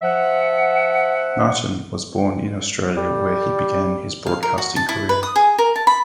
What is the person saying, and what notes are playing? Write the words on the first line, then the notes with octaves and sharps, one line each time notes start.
Martin was born in Australia where he began his broadcasting career.
F3 E5 F#5
G3
F5
A#4
F#4
A5
E4
B4
D#6
G#4
A#4
A5
B5